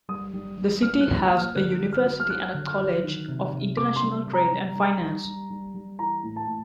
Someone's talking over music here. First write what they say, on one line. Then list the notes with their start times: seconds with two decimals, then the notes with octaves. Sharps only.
The city has a university and a College of International Trade and Finance.
0.09 G3 D#6
0.33 G3
0.58 G3
0.82 G3 F6
1.01 F#6
1.07 A#2
1.32 A#2
1.38 F6
1.56 D3 F#6
1.81 F#3
1.93 F6
2.06 F#3
2.20 F6
2.30 F#3 F#6
2.54 D3
2.67 F6
2.79 F#3
3.03 D#3
3.28 C3
3.53 C3
3.77 C3 D6
3.96 C6
4.02 G3
4.27 C3
4.33 A#5
4.52 G3
4.76 G3
5.01 G3
5.25 G3
5.50 G3
5.74 G3
5.99 E3 A#5
6.23 A2
6.36 A5
6.47 A2